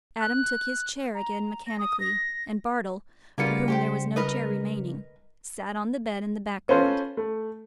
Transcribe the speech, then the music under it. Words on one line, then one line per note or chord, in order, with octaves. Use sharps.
Adam took his chair again mechanically, and Bartle, for whom there was no chair remaining, sat on the bed in the background.
F#6
A#5
A#6
D#6
A#6
C#3 G3 A#3 B3 F4 C#7
G4 C5 G5
A#4 B4 D#5
C#4 F4 A4 B4 C5
A3